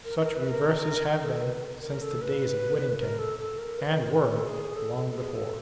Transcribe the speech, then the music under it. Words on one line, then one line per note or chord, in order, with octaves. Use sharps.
Such reverses have been, since the days of Whittington; and were, long before.
A#4
A#4
B4
A#4
A4
B4
A#4
A4
B4
A#4
A4
A4
A#4
B4
A#4
A4
G#4
A4
A4
G#4
A4